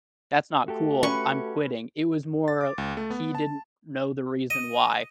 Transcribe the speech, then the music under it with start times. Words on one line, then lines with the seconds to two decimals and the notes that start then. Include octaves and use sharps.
that's not cool I'm quitting, it was more he didn't know the reason why.
0.68 A3 F#4 G4 A4
1.03 C#4 B4 C#6
2.48 A6
2.61 D6
2.78 C#2
2.97 A3
3.10 B3
3.35 A5
4.50 D#5